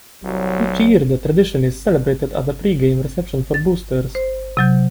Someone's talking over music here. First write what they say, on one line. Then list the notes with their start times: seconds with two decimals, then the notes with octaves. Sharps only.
Each year the tradition is celebrated at a pre-game reception for boosters.
0.24 C2 F#3
3.54 A6
4.15 C5
4.57 C3 F#3 G6